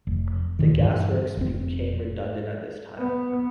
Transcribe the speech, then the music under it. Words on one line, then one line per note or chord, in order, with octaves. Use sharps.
The gas works became redundant at this time.
F1
D2 A#2 D#3
G2 D3 E3
F1 C4
B3